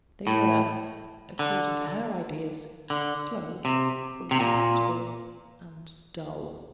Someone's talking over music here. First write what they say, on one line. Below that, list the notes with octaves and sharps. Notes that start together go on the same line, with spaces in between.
They were, according to her ideas, slow, respectable, and dull.
A2
D3
D3
C3
C3
A#2